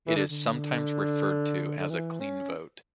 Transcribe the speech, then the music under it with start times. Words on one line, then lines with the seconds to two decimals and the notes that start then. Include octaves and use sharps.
It is sometimes referred to as a clean vote.
0.08 E3
0.16 D3
0.31 D3
1.78 D3
1.90 E3
2.20 C#4